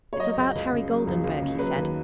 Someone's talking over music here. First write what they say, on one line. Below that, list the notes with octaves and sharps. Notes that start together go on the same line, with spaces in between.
"It's about Harry Goldenburg," he said.
C#5
F#3 D#5
C#2
C#2
C#3
F#3
C#2
C#2
C#3
F#3 B4
D#2